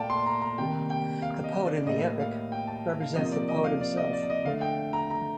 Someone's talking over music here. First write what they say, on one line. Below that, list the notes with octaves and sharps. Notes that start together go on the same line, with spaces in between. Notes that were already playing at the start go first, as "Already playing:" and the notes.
The poet in the epic represents the poet himself.
Already playing: A#2 A3 D5 F5 G5 A5
C6
A#5
A#5
C3 D#3 G3 A#3 G5
G5
F5
D#5
D5
A2 G3 A#3 D#5
F5
G5
A5
F5
C3 F3 A#3 D#5
D5
D#5
F5
D5
D#5
D5
D#5
D3 A3 F5
G5
A#5
A#5